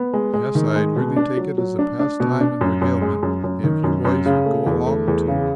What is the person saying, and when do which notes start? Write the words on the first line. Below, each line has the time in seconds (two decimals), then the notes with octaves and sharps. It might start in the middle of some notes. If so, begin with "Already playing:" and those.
Yes, I'd really take it as a pastime and regalement if you boys would go along too.'
Already playing: B3
0.13 G#3
0.33 G#3
0.55 D#3
0.76 G#3
0.96 B2
1.16 D4
1.37 F#3
1.58 F#3
1.79 D4
1.99 D4
2.20 B2
2.41 D4
2.61 F#2
2.81 F#2
3.01 G#3
3.23 F#2
3.44 F#2
3.64 D#3
3.84 F#2
4.05 F#2
4.26 C#3
4.45 A3
4.67 E2
4.87 A3
5.08 E2
5.28 C#3